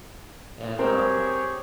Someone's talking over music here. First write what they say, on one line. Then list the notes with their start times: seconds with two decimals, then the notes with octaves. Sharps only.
and, um,
0.79 C4 G4 G#4 A#4 C5 C#5